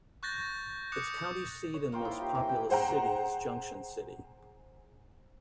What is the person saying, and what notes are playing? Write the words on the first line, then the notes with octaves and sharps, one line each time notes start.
Its county seat and most populous city is Junction City.
C#6 F#6 G6 A6 A#6
D6 D#6 F#6 G6 C#7
C#5
A#3 F4 G5
D#4 E4 C5
G4
E3
G5
G#4 C5 F#5 G5 A#5